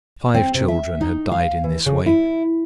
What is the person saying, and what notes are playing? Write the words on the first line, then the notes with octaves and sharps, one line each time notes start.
Five children had died in this way.
C4
C3
E5
D#4
F5
E3
C#3
E4